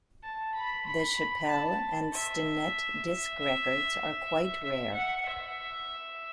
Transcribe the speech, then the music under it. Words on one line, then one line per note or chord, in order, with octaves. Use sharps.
The Chappelle and Stinnette disc records are quite rare.
A5
B5
B5
B5
A5
E5
E5
E5
F#5
E5